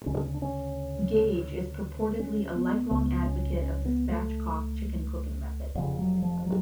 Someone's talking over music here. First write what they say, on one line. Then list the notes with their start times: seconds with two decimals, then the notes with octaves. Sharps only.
Gage is purportedly a lifelong advocate of the Spatchcock chicken cooking method.
0.06 D2 C#3 C#4
0.16 D4
0.25 C#4
0.34 D4
0.42 C#4
2.19 C#4
2.55 B3
2.91 C#2 C#3 B3
3.26 C#4
3.61 C#4
3.86 B3
4.09 A3
5.75 F1 F2 C#3
5.99 F#3
6.22 F3
6.46 F#3